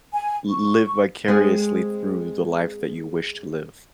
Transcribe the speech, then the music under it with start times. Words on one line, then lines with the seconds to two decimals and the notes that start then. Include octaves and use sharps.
l live vicariously through the life that you wish to live.
0.14 G#5
0.49 C#6
1.28 G#3 C4 G#4